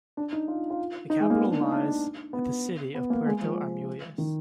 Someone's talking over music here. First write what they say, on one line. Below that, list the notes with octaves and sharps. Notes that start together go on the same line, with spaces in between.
The capital lies at the city of Puerto Armuelles.
D4
D#4
F4
F4
D#4
G#3
A#3
B3
D4
D#4
D4
B3
B3
A#3
G#3
F3
D#3